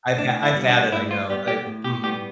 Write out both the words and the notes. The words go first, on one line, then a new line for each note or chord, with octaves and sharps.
I've had I've had it, I know. I mhm.
A2 D4
E4
G3 B3
D4
A2 E4
F4
G3 B3 G4
G4
A2
G4
G3 B3 G4